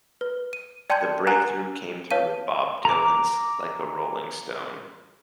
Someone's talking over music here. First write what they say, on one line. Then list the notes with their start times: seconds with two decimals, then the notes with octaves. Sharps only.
The breakthrough came with Bob Dylan's "Like a Rolling Stone".
0.21 B4
0.53 D#7
0.90 D5 G5 A5 C6 G6 G#6
1.27 F#5 G#5 A#5 F#6
2.11 B4 C#5 F5 A5 D#7
2.85 A#5 D6